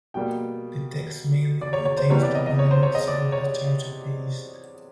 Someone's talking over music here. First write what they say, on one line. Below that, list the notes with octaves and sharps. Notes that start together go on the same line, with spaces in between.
The text mainly pertains to polemics against the Church of the East.
B2 G3 A#3 G5
D5
C#5
C#5
C5
C3 E3 G3 B3 C#5
D5
D#5
D#5
C#5
C5
C#5
D#5
D5
C#5